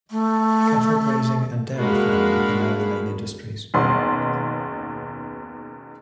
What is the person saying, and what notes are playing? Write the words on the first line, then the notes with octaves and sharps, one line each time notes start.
Cattle grazing and dairy farming are now the main industries.
A3
G#3 A#3 D4 F#4 F5 B5
F#1 D#2 B2 B3 C6